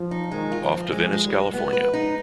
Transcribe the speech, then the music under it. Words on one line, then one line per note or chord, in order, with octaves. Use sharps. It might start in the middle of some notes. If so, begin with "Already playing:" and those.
Off to Venice, California.
Already playing: F3
D#4
D#3 G#3
F4
F3
C4
F3 G#3
G#3
D#3 G3
G#3
F3 G#3 B3
B4
D#4